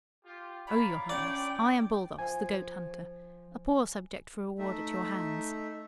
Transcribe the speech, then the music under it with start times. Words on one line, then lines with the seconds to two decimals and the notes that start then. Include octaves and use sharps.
Oh, your highness, I am Baldos, the goat-hunter, a poor subject for reward at your hands.
0.25 F4 G4
0.67 C#5 D5 F5 A#5 B5
1.09 C#4 D4 D5 G5 C#6 D6
2.19 F3 G#5
4.59 A3 D#4 E5